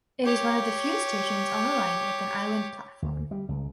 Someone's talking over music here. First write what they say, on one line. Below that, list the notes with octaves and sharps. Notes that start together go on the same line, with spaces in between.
It is one of the few stations on the line with an island platform.
G4 C#5
D2
G3
C#2